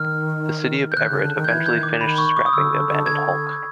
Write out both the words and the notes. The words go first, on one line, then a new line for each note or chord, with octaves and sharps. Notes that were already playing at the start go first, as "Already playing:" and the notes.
The city of Everett eventually finished scrapping the abandoned hulk.
Already playing: D#3 F6
G6
D#3 F#6
C#3
D3
D#3
G6
E3 G#6
G6
D#3
D6
D#3 B5
C#6
D6
D#6
D3 E6
D3
D3
D3 G#6